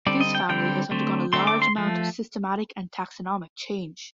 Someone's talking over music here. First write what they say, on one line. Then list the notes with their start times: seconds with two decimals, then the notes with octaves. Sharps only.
This family has undergone a large amount of systematic and taxonomic change.
0.06 D3 G3 C4 D5
0.21 D#5
0.35 G5
0.49 D3 G3 C4 G5
0.91 D3 A3 C4
1.33 D3 A3 C4 C6
1.47 D6
1.62 C6
1.76 F3 A3